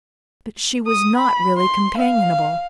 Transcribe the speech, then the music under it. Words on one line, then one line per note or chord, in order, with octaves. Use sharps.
But she was not really companionable.
D#6
B5
C6
F5